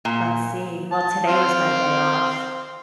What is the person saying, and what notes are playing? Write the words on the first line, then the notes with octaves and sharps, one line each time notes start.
Let's see, well, today was my day off.
A#2
A5
C4 F5